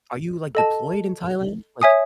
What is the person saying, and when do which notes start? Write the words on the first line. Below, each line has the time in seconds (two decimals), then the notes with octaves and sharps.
Are you, like, deployed in Thailand? Like
0.55 A4 D#5 A5
1.81 C#5 E5 G#5 D#6